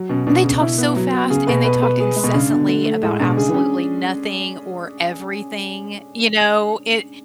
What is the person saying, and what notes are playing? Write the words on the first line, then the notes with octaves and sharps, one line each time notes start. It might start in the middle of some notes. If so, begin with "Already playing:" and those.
They talked so fast, and they talked incessantly about absolutely nothing or everything, you know? It
Already playing: F#3
B2 C#4
B2 D4
C#3
E4
B3
F#3
B3
C#3 G#4
B2 B4
B4
B4
G#4
G#3
B2
C#3 D4
B2 D3
A3
A3
A2 G#3
B2 D4
C#3 G#4
E3
C#4